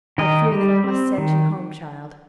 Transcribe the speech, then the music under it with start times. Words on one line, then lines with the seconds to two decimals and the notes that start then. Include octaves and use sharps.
I fear that I must send you home, child.
0.18 D#3 A#4 D#5
0.51 G3
0.84 C4
1.18 D#3